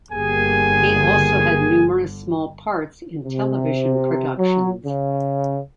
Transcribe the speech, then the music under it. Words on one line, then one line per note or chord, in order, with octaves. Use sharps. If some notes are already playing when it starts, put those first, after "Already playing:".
He also had numerous small parts in television productions.
G1 D3 A#3 G4 G#4 G#5
C3
F#3
C#3